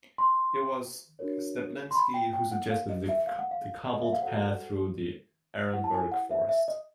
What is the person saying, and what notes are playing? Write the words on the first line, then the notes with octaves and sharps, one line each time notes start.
It was Stablinski who suggested the cobbled path through the Arenberg forest.
C6
D4 F#4 A#4 C#5
C6
B5
G5
G5
F#5
D#4 G4 A#4 F5
D#5
E5
F5
F#5
F5
D#5
E5
F5
F#4 A4 C5 F#5
E4 G4 C5 F#5
A5
G#5
F#5
E5
E5
D#5